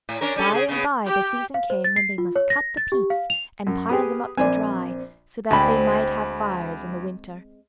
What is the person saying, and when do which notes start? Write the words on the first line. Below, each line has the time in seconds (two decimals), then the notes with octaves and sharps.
By and bye the season came when they must cut the peats and pile them up to dry, so that they might have fires in the winter.
0.09 A2
0.21 C#4 D4 A#4
0.36 G3 C#4 A4
0.51 C#3 G#4
0.69 C#3 B3
1.05 G4
1.54 F5
1.70 C5
1.84 A6
1.96 C7
2.18 F4
2.36 C#5
2.50 A#6
2.77 A6
2.92 G4
3.10 F5
3.30 F7
3.67 F#2
3.89 B3 G4 G#4 D#6
4.37 A#1 C4 C5 D5 G#5
5.51 D2 G#3 C4 D4 B5